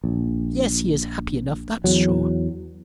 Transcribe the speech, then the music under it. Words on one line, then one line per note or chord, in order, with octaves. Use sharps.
Yes, he is happy enough, that's sure!
A#1
E2 F#3